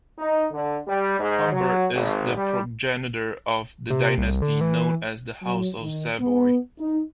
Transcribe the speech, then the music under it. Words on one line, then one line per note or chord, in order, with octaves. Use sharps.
Humbert is the progenitor of the dynasty known as the House of Savoy.
D#4
D3
G3
G#2
F#3
G#1
G3
C3
C2
D3
E3
F#3
D#3
B3
D#4